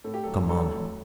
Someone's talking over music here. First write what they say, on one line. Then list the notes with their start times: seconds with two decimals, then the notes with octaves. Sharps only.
Come on!
0.04 A2 A4
0.14 G4
0.23 F#3 A4
0.49 F#3 A4
0.71 A2